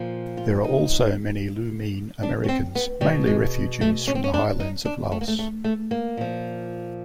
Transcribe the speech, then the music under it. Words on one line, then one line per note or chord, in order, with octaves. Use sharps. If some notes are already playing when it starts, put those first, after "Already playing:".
There are also many Iu Mien Americans, mainly refugees from the highlands of Laos.
Already playing: A#2 F3
F4
D#4
D4
C#4
C4
B3
B2 G3
G#3
A3
C#4
C4
C#4
D4
D#4
D4
A3
A#3
A3
A3
A3
A#3
A#2 F3